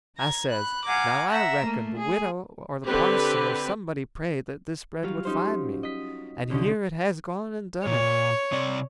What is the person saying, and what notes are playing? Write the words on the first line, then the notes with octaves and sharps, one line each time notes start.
I says, now I reckon the widow or the parson or somebody prayed that this bread would find me, and here it has gone and done it.
A#5 G#6
B5 F#6
F5 F#5 G#5 A#5 D6
E5 F#5 A#5 E6
A3 A#3
G#4
D3 C4 G4 B4
F#3 G3 F4 C#5 F5
C#4 D#4 C5
D#5 B6
C2 D3 C#4 G4 D#5
A#2 C#5
C3 C4 D5